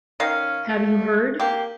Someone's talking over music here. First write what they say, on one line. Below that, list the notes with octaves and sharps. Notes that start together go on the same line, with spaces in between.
Have You Heard?
D#3 C#4 F5
A3
A#3 G4